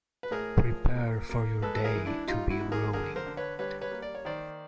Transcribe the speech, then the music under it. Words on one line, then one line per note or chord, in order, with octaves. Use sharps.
Prepare for your day to be ruined.
B4
A2 G#4 A#4
F3
A#3
A#3
G#3 A4 B4
A4
G#4 A#4
E3
D4 E4
G3 D#4 F4
E4 F#4
B2
G#4 A#4
D3 G#4 A#4
A#4 C5
D3
B4 C#5
G3 B4 C#5
B4 C#5
A#3
D5
C#5
D#3 C5 D5